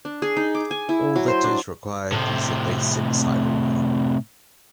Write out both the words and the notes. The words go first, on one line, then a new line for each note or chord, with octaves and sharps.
All that is required is that they sit silently.
D4
G#4
D#4
D6
G#5
E4
F#3
C5
D4
A2 C3